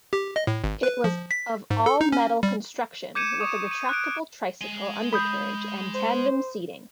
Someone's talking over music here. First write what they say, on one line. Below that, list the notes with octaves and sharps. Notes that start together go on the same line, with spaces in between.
It was of all-metal construction with a retractable tricycle undercarriage and tandem seating.
G4
D#5
A2
G#1
B4
F3
B6
G#2
A4
D#4
C#4
G3
D6 G6 G#6 C#7 D#7 E7
C#6 D#6
D#7
F#6 D7
G#3 G#5
B5 D#6 G6
C5